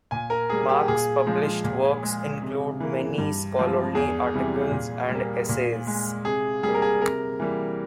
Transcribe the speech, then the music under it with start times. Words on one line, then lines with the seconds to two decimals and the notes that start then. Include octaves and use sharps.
Marks published works include many scholarly articles and essays.
0.11 A#2 G#5
0.30 A#4
0.50 G3 A#3 G#4
0.69 G4
0.88 A#2 G#4
1.26 F3 G#3
1.64 A#2
2.03 G#3
2.42 C3
2.80 E3 A#3
3.18 G2
3.56 F3 G#3
3.95 E2 G#4
4.34 C3 E3 G3
4.71 A#2
5.11 G3 A#3
5.49 A#2
5.87 G#3
6.25 C3 G#4
6.63 G3 A#3 G#4
6.75 A#4
6.82 G#4
7.01 C3 A#4
7.40 E3 G3 A#3